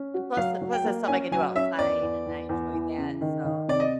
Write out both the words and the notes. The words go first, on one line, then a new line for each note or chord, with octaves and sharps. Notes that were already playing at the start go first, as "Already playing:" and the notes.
And plus plus there's something I can do outside, and I enjoy that. So
Already playing: C#4
F#4
F#3 F5
F#3
G5
A#3
C#4 G#5
F#3 G#5
C#4 E5
E2 D5
E2
E2
E2
E3
C#3
D#3
D#3
C3 D5
D#5